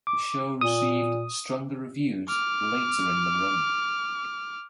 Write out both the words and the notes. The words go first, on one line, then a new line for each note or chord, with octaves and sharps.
The show received stronger reviews later in the run.
D6
A#2 D#6
D6 F6